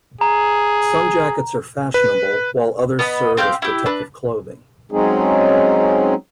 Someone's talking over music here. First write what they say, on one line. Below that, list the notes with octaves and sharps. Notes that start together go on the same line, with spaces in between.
Some jackets are fashionable, while others serve as protective clothing.
G#4 A#5
B4
B3 D#5 B5
C4 G4 F5 G6
E4 G4
D4 B4
F#3 G#3 C4 C#4 D#4 G#4